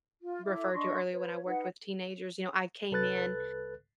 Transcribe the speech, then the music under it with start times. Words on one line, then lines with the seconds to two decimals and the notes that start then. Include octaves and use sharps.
referred to earlier when I worked with teenagers, you know, I came in
0.21 F4
0.45 E4 A4 E5 D6
0.73 D4 D#5 C6 C#6
1.10 B4 C#5
1.44 D#4 B4 F#5
2.91 C2 A4 B4 F#6 A6